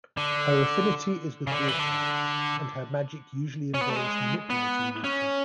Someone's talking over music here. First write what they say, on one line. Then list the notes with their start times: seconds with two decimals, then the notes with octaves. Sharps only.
Her affinity is with water, and her magic usually involves manipulating water.
0.17 D3
1.47 C#3
1.52 D3
1.68 E3
1.79 D3
3.74 C#4
3.81 B3
3.89 A3
3.96 G#3
4.50 B3
5.04 C#4